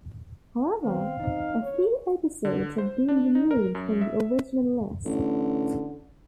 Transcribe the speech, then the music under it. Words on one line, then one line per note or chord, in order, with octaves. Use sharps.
However, a few episodes have been removed from the original list.
D#3 B3 C4 B4 F5
C4 D#4 C5
C#5
D3
C5
D4
D#4
A#4
F#2
E5
A1 D3